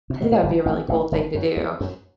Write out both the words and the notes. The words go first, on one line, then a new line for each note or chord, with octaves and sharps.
I think that would be a really cool thing to do. It's
C3
B2
A2
G1 G2
A1 A2
A1 A2
G1 G2
F#2
E2
F#2